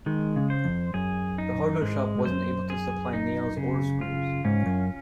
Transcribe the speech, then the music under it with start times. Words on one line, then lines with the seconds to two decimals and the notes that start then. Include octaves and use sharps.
The hardware shop wasn't able to supply nails or screws.
0.06 D#3 G#3
0.36 C#3
0.50 C5
0.65 F2
0.94 F#2 G#4
1.38 D#4
1.82 G#2 G#3
2.18 G#2
2.25 F#2 C5
2.70 G#4
3.13 D#4
3.57 C#3
4.01 F4
4.45 G#2 C#4
4.66 F#2